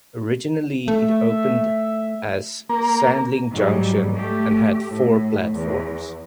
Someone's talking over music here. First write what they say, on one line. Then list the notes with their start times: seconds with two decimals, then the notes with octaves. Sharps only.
Originally it opened as Sandling Junction and had four platforms.
0.88 A3 E5
2.69 A#3
3.51 G#2 F#3 G3
4.15 A3 G4
4.89 A2
5.54 E2